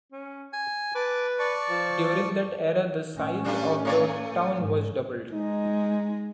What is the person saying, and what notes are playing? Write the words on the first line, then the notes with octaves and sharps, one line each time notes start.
During that era the size of the town was doubled.
C#4
G#5
B4 A5 D6
D5 A5 C#6
F3
A2 C#4
G3 A3 D4
A3 C#5 D5
G#2
G#3 D#4